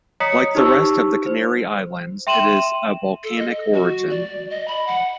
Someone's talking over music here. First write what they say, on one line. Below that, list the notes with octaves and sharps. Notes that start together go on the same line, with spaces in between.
Like the rest of the Canary Islands, it is of volcanic origin.
C#5 D#5 A#5 D#6 B6 C#7
D#4 G4 C5 A5 C#6 E6
C5
E5 G5 C6 D#7 E7 F#7
A4
D#5
F#4
D5
D#5
B5
F#5